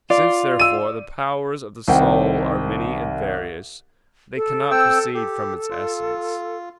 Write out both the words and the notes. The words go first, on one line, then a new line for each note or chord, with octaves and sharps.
Since, therefore, the powers of the soul are many and various, they cannot proceed from its essence.
F4 D5
E6 D#7
C2 D#3 C5 F#5 G5
A4
C4 G5 E6
G4 A4
F4